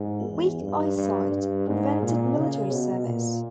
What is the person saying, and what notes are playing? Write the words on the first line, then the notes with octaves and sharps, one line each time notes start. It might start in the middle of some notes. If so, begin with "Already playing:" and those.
Weak eyesight prevented military service.
Already playing: G#2
E2
G2
G2
G2
G#2
A#2
C#3
B2
A#2